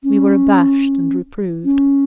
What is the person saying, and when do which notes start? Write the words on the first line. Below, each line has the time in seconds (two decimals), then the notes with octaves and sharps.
We were abashed and reproved.
0.02 C#4
1.63 C#4